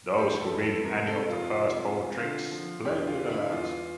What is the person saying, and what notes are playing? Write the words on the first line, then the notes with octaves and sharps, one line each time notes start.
Those who win any of the first four tricks play to the last.
E3 G4
A4
F2
A4
C3 A#4
A4
F2
F4
C3
C3
D3 F4
F3
E2 G4
F4
D3
E4
E2 F4